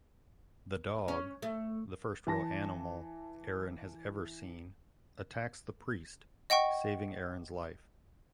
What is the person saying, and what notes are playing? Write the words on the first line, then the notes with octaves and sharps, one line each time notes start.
The dog-the first real animal Erin has ever seen-attacks the priest, saving Erin's life.
C#4
A3
E3 A5 A#6
D#5 F#5 G5 C#6